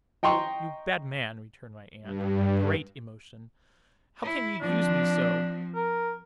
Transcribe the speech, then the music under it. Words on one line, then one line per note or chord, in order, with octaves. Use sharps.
'You bad man,' returned my aunt, with great emotion; 'how can you use me so?
D#5 G5 A#5 C6 C#6
G2
E4
F3 C4 D4
A#4